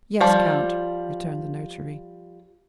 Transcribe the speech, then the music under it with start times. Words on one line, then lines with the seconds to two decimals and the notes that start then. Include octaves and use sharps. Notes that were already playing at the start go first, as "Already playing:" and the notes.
"Yes, count," returned the notary.
0.21 F3 G3